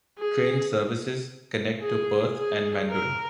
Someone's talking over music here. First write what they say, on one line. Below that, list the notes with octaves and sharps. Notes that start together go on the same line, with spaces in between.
Train services connect to Perth and Mandurah.
G#4
G#4
G#4
A#4